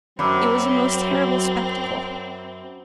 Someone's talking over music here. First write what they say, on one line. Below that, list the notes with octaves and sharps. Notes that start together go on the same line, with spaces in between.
It was a most terrible spectacle.
F#2 F#3 C4 B5 D6 E6